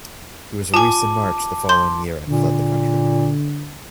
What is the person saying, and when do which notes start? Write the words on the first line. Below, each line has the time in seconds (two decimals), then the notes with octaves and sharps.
He was released in March the following year and fled the country.
0.74 F4 G#5 A5 D6
1.69 C6 G6
2.28 A#2 D3